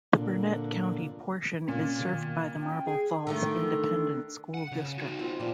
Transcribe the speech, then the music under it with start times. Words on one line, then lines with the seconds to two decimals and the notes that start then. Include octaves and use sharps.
The Burnet County portion is served by the Marble Falls Independent School District.
0.12 A#2 D3
1.68 A#2 C#4
1.99 B2 D#3
2.62 C#4 G5
2.86 G#4
3.27 D3 D#3 A3
4.54 F#5
4.72 C#3 F5
4.98 D#4 F#4
5.19 C4 F4
5.40 A#2 F3 G3